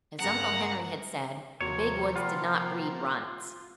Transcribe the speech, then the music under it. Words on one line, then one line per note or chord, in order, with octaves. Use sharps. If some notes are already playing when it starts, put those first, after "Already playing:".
As Uncle Henry had said, the Big Woods did not breed runts.
G2 C#3 A#3 F#5 A#5 A#6
D#2 C3 F3 A#3 F#4 C#5
F4 F#5 G5 B5